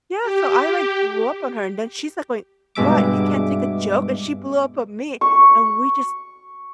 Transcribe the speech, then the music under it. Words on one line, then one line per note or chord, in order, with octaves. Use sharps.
Yeah, so I, like, blew up on her, and then she's like, going, "What? You can't take a joke?" And she blew up on me, and we just
G4
G2 B2 G#3 E5 D6
C#6